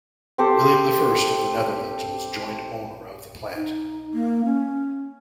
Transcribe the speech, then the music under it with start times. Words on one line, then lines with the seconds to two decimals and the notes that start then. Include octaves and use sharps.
William I of the Netherlands was joint owner of the plant.
0.38 C4 G4 A4 C5
3.55 D#4
4.14 A#3
4.45 C#4